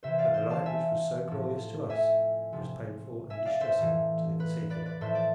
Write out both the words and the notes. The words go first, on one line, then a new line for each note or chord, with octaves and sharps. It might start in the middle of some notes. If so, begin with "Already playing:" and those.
But the light which was so glorious to us was painful and distressing to the Kosekin.
C3 E3 C5 E5
D5 F5
C5
F5 A5
E5 G#5
A2 F3
E5 G#5
C3 F3
E5 G#5
D5 F5
C5 E5
A2 E3
B4
B4 D5
B4 D5
A2 F3 C5 E5
D5